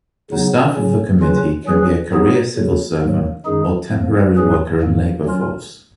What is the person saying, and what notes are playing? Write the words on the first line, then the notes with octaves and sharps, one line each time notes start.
The staff of the committee can be a career civil servant or temporary worker and labor force.
C#3 F#3 B3 D#4
C#3 F#3 C#4
C#3 F#3 C#4 F4 B4
F#3 C#4 G#4 B4
F#3 B3 D#4 G#4
D#2 C#3 F#3
G#2 D#3 F#3 A#3
F#2 D#3 G#3 D#4 G#4
F2 F3 A#3
G#2 F#3 C#4 G#4 B4
G#2 D#3 A#3
F#3 C#4 F4 A#4